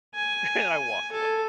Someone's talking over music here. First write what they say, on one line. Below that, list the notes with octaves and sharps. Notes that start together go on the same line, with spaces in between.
And I walked
G#5
A4